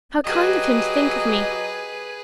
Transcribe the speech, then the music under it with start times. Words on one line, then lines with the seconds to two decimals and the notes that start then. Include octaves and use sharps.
'How kind of him to think of me!
0.25 F#3 G4 G#4 B4 D#5